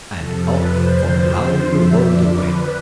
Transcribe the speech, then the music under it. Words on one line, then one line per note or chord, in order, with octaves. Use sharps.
And off for round the world away!
F2 C3 F3 A4
B4
F2 D3 F3 C5
F2 D3 F3
E5
F2 D3 F3 D5
B4